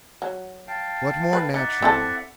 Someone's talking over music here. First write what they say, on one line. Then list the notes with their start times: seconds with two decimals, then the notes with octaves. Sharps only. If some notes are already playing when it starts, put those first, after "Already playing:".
What more natural!
0.22 F#3
0.67 F5 G5 A5
1.33 B4
1.54 D#4 D5 E5 F#5
1.82 C4 E4 A4